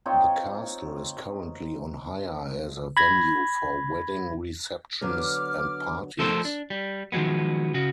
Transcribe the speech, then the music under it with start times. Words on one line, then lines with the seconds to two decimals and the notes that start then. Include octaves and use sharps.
The castle is currently on hire as a venue for wedding receptions and parties.
0.06 C4 D#4 F4 C#5
2.97 B5 G#6 A#6
5.01 D3 F#3 B3 D6 F6
6.19 F3 A3 A4 A#4 C5
6.45 D4
6.70 G3
7.12 D#3 F3 F#3 G#3 B3
7.74 C#3 F#4